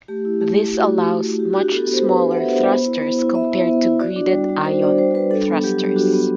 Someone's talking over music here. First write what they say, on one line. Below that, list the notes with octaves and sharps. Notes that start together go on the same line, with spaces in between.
This allows much smaller thrusters compared to gridded ion thrusters.
A3 G4
E4
A3 G4
E4
A3 F#4
E4
A3
E4
F#4 G4
D4 F#4
G4
B3 A4
B3
C5
F#4 B4
D4 C5
F#5
B3 E5
B3 C5
B3
E4
B3
E4
B3 E5
E4
B3
E4
F#4 D5
D4
G3
G3
F#4 C5
D4 D5
G3 C5
G3 B4
D4 A4
B3
F#3 G4
F#3
D4 F#4
B3